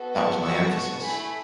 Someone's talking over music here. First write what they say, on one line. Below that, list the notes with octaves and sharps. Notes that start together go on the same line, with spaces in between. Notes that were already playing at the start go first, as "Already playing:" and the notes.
That was my emphasis.
Already playing: B3 F#4 A4
A5 C#6
B3 F#4 A4 C#6 E6
A5 C#6
A3 E4 A4 G#5 B5